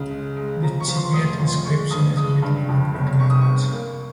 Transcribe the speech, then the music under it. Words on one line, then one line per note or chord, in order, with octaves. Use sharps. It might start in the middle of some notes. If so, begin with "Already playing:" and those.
The Cypriot inscription is written in the Greek language.
Already playing: C#2 C#3
G#3
G#3
F3 A#5
C#6
F3
C6
F1 D#6
F3 C6
G#3 C#6
G2 D#6
G#3 D#6
G2
F2
G1
C3 C#6
D#6
G1 C#6
A#3